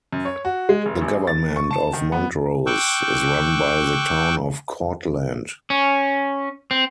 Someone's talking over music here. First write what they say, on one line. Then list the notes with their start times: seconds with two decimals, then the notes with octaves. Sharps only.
The government of Montrose is run by the Town of Cortlandt.
0.13 F#2
0.25 C#5
0.45 F#4
0.69 G#3
0.86 F1
1.01 A1
1.27 A6
1.56 C#6
1.71 A5
1.93 D#3
2.12 B3
2.67 G5 C#6 D6 E6 F#6 G6
5.70 C#4
6.71 C4